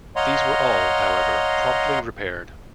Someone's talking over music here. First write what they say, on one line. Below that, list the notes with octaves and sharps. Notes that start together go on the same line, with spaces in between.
These were all, however, promptly repaired.
C#5 D#5 F5 F#5 A#5 C6